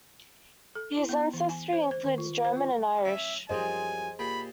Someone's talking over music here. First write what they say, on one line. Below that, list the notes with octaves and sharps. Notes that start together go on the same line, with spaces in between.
His ancestry includes German and Irish.
A4
E4
B3
E3
G#5
C5
C5
D#3
F4
C5
F4
C#4 E5
F#2 F3 G3 G#4 C5 D#5 G#5
A#2 G4 G#4 B5